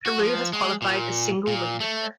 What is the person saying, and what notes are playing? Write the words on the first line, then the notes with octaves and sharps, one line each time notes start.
Peru has qualified a single weightlifter.
F#4
F3
G#3
A#2
A#2
A3